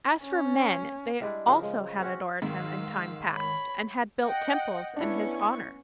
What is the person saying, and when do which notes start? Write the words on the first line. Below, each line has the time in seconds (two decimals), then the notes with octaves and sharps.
As for men, they also had adored him in time past, and had built temples in his honor.
0.23 C#4
1.20 G3 G#3 D4 E4
1.47 C#3 F3 A#4
1.63 G#3
2.00 C4 C#4 F#4
2.42 G#2 D#3 F5 E6
3.32 C#5 B5
4.24 D#5 F#5 G5
4.96 B3 C#4 D4 E4 C#6